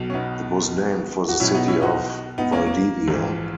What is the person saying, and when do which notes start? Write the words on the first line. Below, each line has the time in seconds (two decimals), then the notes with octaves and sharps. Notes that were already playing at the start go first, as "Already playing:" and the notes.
It was named for the city of Valdivia.
Already playing: B1 B2
0.10 C#4
0.14 B3 D#4
1.28 F#4
1.40 B1 B2 C#4 E4
1.54 B3 D#4
1.68 C#4 E4
1.82 D#4 F#4
2.38 B3 D#4
2.52 A#3 C#4
2.66 A#3
3.08 A#1 G#2 E3